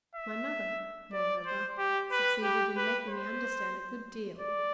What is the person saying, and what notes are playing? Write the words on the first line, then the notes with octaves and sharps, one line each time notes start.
My mother, moreover, succeeded in making me understand a good deal.
E5
D5
C5
G4
B4
G4
B4
C5
D5